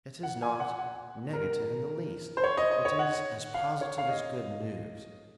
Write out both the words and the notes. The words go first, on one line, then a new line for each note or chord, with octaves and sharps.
It is not negative in the least; it is as positive as good news.
F#5
G#5
F#5
F#5
A#4
C5
C#5
D#5
D#5
C#5
F#5
F5
C#5
F5
D#5